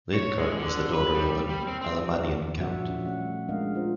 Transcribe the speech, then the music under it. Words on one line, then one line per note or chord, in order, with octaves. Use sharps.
Luitgard was the daughter of an Alamannian count.
C#5
G#3
D3
B4
G3
G3
C4
C4
D5
A#2 D3 F3 F#4 E5 F#5
C#4
G3 A3 F#5
G#3 C4 D4 A#4 D#5 F5
D4 F4 A#4 C5